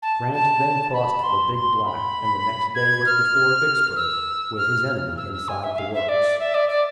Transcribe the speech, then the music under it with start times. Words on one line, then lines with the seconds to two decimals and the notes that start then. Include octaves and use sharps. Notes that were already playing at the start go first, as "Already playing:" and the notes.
Grant then crossed the Big Black and the next day was before Vicksburg, with his enemy inside the works.
0.02 A5
0.33 A5
0.93 B5
1.23 C6
1.54 C6
1.85 B5
2.75 G#6
3.06 F6
3.96 E6
4.57 F6
5.17 E6
5.33 E6
5.48 G#5
5.63 E5
5.74 E5
5.78 F5
5.93 E5
6.08 D5
6.39 E5
6.54 D5
6.69 D5